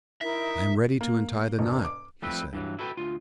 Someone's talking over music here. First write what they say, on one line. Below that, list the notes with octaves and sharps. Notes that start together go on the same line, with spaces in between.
"I am ready to untie the knot," he said.
D#4 E4 A#4 E5
A#3
E1
D6
F3 G3 A3 C4 B4 E5
G2 E3 F#3
E4 F#4 A4 B4 G5
D2 F4